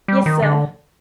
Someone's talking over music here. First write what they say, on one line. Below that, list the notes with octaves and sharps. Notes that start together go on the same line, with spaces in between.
"Yes, sir."
G3
D#3
D3